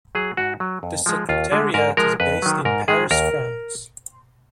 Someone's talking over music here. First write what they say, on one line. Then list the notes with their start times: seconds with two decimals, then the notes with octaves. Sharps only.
The Secretariat is based in Paris, France.
0.15 F#3 G#4
0.37 G#2 F#4
0.60 F#3
0.83 F2
1.06 F3 G#3
1.29 D#2 F4
1.52 D3 G#3
1.74 G#2 A#4
1.97 F3 G#3 A#4
2.20 F2 B4
2.42 D#3 F#3
2.65 G#2 A#4
2.88 D#3 G#3 G#4
3.11 D#2 A#4